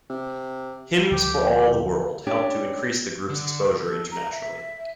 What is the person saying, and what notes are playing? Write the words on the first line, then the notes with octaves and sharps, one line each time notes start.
"Hymns For All The World" helped to increase the group's exposure internationally.
C3
D2 D3 F3 G4
C#4 D4 G4
D3
A4
A#5
E5